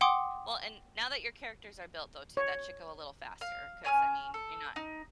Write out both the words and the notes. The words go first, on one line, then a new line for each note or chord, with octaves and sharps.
Well, and, now that your characters are built though too, that should go a little faster 'cause, I mean, you're not
F#5 G5 C6 D6 D#6
C#5
F5
C#4 G#5 E6 F6
A4
D#4